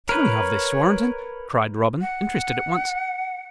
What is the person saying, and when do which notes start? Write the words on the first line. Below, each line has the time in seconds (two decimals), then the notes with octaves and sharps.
"Tell me of this, Warrenton," cried Robin, interested at once.
0.09 A#4 B4 C#5
2.01 F#5